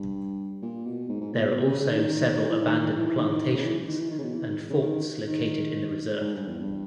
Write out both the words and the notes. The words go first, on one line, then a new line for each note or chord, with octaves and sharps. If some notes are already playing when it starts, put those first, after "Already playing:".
There are also several abandoned plantations and forts located in the reserve.
Already playing: G2
A#2
B2
G#2
G#2
A#2
B2
B2
C#3
C#3
D#3
E3
D#3
D#3
E3
E3
D#3
D#3
D#3
C#3
E3
D#3
E3
D#3
C#3
B2
E3
D#3
C#3
D#3
D#3
G#2
G2
E2
G2